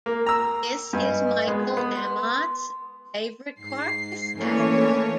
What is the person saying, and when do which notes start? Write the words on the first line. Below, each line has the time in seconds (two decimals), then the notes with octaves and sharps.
This is Michael Amott's favorite Carcass album.
0.06 A#3
0.26 A#5 E6
0.93 G2 B4 D#5 G#5
1.48 G#3 B3
1.77 B3 D#6
1.96 C6
3.59 G#2 C7
4.39 E3 A3 A#3 C#4 D4 C#5